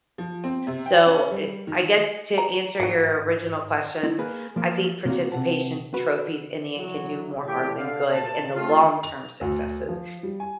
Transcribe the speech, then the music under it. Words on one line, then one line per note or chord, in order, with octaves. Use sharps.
So, er, I guess to answer your original question, I think participation trophies in the end can do more harm than good in the long-term successes.
F3
C4
C3
G5
C#4
G3
D#3
A#5
G#2 F#3 A#3
E4
A#3 G#4 B4
F3 A#3
C3 A#3 D4 F4 F#4
C3 F#5 A5
F#4 B4
E3 F#3
E2 A2 G4
D3 F5
A#2 A5
C3 A3 F4
F7
D2
F3
G3
G#5